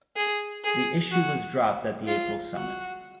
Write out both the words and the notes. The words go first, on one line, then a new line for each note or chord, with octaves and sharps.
The issue was dropped at the April summit.
G#4
G#4
F#4
F4
F#4